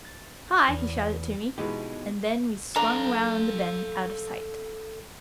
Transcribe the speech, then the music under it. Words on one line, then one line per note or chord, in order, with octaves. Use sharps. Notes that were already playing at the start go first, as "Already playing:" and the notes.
"Hi!" he shouted to me, and then we swung round a bend out of sight....
A6
E2
B2 E3 G#3 B3 D#4 G4
D4 A4 F5 A#5